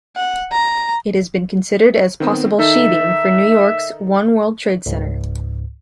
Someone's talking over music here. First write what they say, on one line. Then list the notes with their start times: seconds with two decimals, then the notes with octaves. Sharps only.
It has been considered as possible sheathing for New York's One World Trade Center.
0.16 F#5
0.52 A#5
2.20 D#3 B3 C4
2.59 D#3 D#4 A4 E5
4.86 C#2 G#2